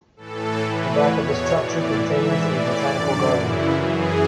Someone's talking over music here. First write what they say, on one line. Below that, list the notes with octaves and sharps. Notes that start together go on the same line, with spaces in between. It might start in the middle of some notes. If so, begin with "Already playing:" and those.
The back of the structure contains a botanical garden.
A2 E3 A4
A2 E3 B4
E2 B2 C#5
A2 E3 D5
G#2 E3 E5
A2 E3 D5
F#2 D3 D5
F#2 C#3 E3 E4
F#2 E3 G#4